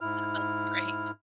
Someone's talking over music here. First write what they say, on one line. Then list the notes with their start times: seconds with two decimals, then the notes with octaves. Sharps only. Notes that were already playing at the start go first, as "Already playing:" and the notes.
That's great.
0.01 G#2 E4 F6